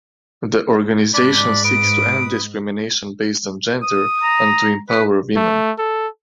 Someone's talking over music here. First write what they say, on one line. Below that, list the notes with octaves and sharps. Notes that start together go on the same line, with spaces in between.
The organisation seeks to end discrimination based on gender and to empower women.
G#2 D4 D5 B5
B4 D#6 D7
D#6
A#5
B4
A3
A4